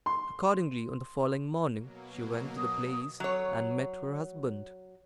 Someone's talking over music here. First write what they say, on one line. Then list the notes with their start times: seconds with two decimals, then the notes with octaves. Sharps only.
Accordingly, on the following morning she went to the place and met her husband.
0.06 C6
1.76 B2 F#3 A#3
2.56 D#6
3.20 F#3 C#5